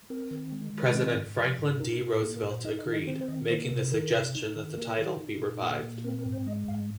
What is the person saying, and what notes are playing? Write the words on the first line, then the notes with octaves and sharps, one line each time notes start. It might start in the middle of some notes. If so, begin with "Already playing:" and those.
President Franklin D. Roosevelt agreed, making the suggestion that the title be revived.
C4 A#4
D#3
G#3
D#3
C4 D#5
G#2
F3
G#2
D#4 A#4
A#4
A#2
A#4
A#3 G#4
A#4
A#2
C5
D#4 D#5
D#5
D#3
D#5
C4 C5
C5
D#3 D#5
A#3 C5
A#4
C3
C5
D#3 A#4
C3
D#4
D#3
A#3 A#4
D#3
D#4
A#2
A#3
A#2
C4 A#4
A#4
G#2
C5
G#3 D#5
G#2 F5